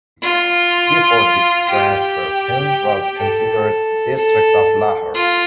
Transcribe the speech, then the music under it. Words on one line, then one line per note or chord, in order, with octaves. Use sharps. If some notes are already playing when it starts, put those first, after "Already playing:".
Before this transfer, Poonch was considered a district of Lahore.
F4
G4
A4
A4
F4